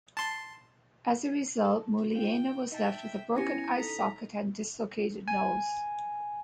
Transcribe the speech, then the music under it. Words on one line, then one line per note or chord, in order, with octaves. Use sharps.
As a result, Muliaina was left with a broken eye socket and dislocated nose.
A5 C6
A4
F4 G5
D#4 E5 G5 A5
B3 C#4 E4 G4 G#5 A#6 C#7
D#4 A4 A#5 B6
G#5